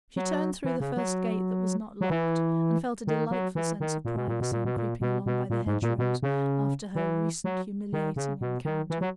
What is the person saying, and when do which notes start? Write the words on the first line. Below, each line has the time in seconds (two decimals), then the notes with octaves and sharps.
She turned through the first gate that was not locked, and felt a delightful sense of privacy in creeping along by the hedgerows, after her recent humiliating encounter.
0.16 F#3
0.65 E3
0.80 C#3
0.97 F#3
2.01 F#3
2.10 E3
3.07 D#3
3.31 F#3
3.55 E3
3.80 D#3
4.05 A#2
4.16 B2
4.28 A#2
4.41 B2
4.52 A#2
4.65 B2
4.77 A#2
5.01 B2
5.26 B2
5.50 A#2
5.66 G#2
5.82 A#2
5.98 B2
6.23 C#3
6.95 E3
7.44 F#3
7.93 D#3
8.16 C#3
8.41 B2
8.65 D#3
8.90 E3
9.01 F#3